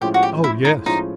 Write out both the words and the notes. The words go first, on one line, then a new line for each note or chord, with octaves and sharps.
"Oh yes!"
A2 F3 G#3 C#4 F4 G4
F#4
G4
E4
D#4
A2 F3 G#3 C#4 D#4 F4